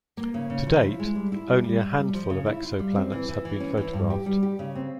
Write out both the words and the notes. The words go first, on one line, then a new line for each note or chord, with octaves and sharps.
To date, only a handful of exoplanets have been photographed.
A#3
C#3
C#3
F3
E4
G#3
G3
E4
G3
G3
G3
G3
F3
C#3
E4
F4
G3
C4
E3
E3
E3
C#4
E3
G2
G4
G3
G4
C#3
C4